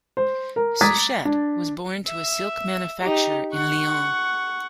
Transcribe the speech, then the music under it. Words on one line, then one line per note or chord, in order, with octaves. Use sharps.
Suchet was born to a silk manufacturer in Lyon.
C5
A#4
A#5 D6 D#6 G#6 A6 B6
D4
E5
D#4 G4
F#5 C#6